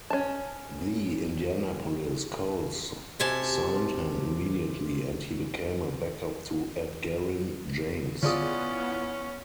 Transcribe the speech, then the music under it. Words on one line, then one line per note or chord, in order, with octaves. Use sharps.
The Indianapolis Colts signed him immediately, and he became a backup to Edgerrin James.
C#4 A5
F#2 C3 G#5 A5
D3 B3 C#4 E4 F4 G#4 D5 D#6